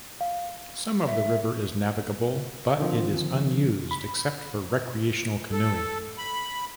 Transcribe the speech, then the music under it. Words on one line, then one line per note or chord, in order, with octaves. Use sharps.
Some of the river is navigable, but it is unused except for recreational canoeing.
F5
E5
D3 D#3 F3 C4
B5
A4
B5